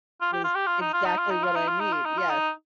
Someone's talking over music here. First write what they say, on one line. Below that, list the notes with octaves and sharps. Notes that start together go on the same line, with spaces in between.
is exactly what I need, yeah.
F4
G4
F4
G4
F4
D#4
F4
D#4
F4
D#4
F4
D#4
F4
D#4
F4
D#4
F4
D#4